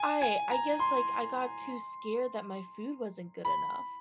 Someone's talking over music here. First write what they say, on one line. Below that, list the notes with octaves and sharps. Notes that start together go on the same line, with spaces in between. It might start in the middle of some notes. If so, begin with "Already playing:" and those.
I I guess, like, I got too scared that my food wasn't good enough
Already playing: G#5
G#5
A#5
C6
B5